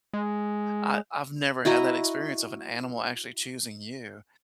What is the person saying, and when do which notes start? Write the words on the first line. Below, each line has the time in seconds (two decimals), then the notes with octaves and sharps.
I I've never had that experience of an animal actually choosing you.
0.14 G#3
1.65 E4 F#4 D#5 A#5